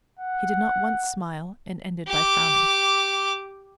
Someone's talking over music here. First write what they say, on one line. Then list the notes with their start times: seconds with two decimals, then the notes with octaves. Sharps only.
He did not once smile, and ended by frowning.
0.19 F#5
2.08 G4 D6